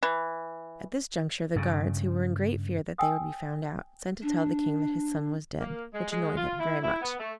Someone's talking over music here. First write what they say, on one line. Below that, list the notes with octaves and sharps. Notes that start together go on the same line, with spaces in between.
At this juncture the guards, who were in great fear that they would be found out, sent to tell the King that his son was dead, which annoyed him very much.
E3
G2 C#3
G5 G#5 D#6 E6
D4
A#3
G#3
G#3
F4
E4
E4
B3
A3